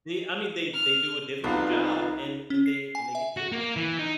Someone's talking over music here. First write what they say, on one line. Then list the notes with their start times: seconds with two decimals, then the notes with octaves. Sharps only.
they I mean, they they do a difficult job and and they and they get paid a lot.
0.74 F6
1.44 C2 B3 D#4 F4 A4 F5
2.50 C#4
2.66 C7
2.95 G#5
3.15 E5
3.37 F#4
3.52 A#3
3.76 E3
3.99 D#4